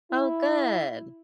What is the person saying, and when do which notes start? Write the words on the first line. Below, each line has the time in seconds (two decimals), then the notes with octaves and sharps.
Oh, good.
0.12 E4